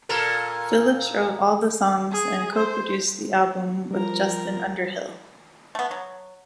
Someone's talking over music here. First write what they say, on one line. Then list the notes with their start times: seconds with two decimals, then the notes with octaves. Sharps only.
Phillips wrote all the songs and co-produced the album with Justin Underhill.
0.09 A#2 A4 A#4
2.11 G#4
2.55 C5
3.91 F3 G3 A#4 A#5
5.75 A3 B3
5.91 F#3